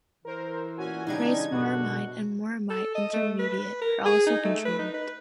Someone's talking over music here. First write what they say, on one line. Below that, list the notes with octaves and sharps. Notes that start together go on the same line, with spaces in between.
Racemoramide and moramide intermediate are also controlled.
E3 A#4 C5
A#2 C#4 F#4 G#5
C#3 G#3 D4 D#4 G4 G#6
F#2 B2 D3 F#4
A4
D#5
A3
B4
A#4
G#4
D#4
A3
B4
D#4
B4